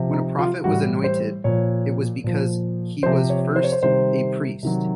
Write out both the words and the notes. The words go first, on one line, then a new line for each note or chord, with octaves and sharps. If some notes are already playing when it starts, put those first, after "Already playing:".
When a prophet was anointed, it was because he was first a priest.
Already playing: C3 F3
D#4
F4
A2 E3 G3 F#4
C5
A#2 F3 C#5
A#2 F3
C3 F3 C5
C#5
C5
C#5
C5
C3 D#3 G3 C5
C3 D#3 F#3